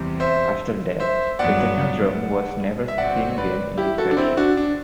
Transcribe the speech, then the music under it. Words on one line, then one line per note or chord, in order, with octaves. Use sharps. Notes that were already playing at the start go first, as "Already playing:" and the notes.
After that, the Technodrome was never seen again in this version.
Already playing: E2 C3 G3
C5 E5
C5 E5
G2 F#3 B3 D5 F#5
E5
G1 G2 F#3 C4 F#4 D5 F#5
B4 D5
E4 G4
F#4 A4
D4
C4 E4
D4 F#4
D4